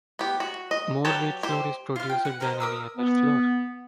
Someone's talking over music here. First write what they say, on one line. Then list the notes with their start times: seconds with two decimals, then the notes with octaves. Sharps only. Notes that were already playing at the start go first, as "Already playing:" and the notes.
More wheat flour is produced than any other flour.
0.19 B3 G4
0.40 F#4
0.71 D#5
1.05 F#3 G4 B4 C#5 A5
1.43 G4 C5
1.96 F4 F5
2.10 G5
2.25 F#5
2.40 A#4 C5 D#5
2.60 A#4 D#6 E6
2.98 B3